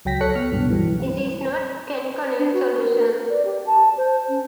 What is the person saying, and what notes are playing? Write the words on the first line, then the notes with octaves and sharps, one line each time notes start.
This is not a canonical solution.
C#2 F#3 G5 A#6 B6
A4 C#5 F#6 C#7
B3 F6
C#2 G2 B2
E3 F#3 G3
D4
F#4
A#4
B4
D5
G4
A5
C5
C#4